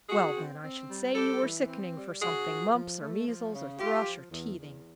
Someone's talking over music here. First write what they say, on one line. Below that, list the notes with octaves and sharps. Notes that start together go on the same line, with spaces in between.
Well, then, I should say you were sickening for something--mumps or measles or thrush or teething.
C4 F#4 G#4
C4
C4
G3
G3 G4 A4
E3
C4
G3
C#3 F#4 G#4
F3
F3
A3
F3
C#3
A3 F4 G4
F3
E2
E2